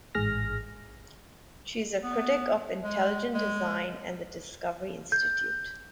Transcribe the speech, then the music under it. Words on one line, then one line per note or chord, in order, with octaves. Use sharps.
She is a critic of intelligent design and the Discovery Institute.
A1 G#2 G#4 F6 A#6
B3
G#3
G#3
G6